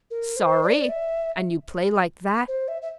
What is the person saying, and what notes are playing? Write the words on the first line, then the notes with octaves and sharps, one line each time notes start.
"Sorry!--and you play like that!"
A#4
C5
D5
E5
C5
E5
E5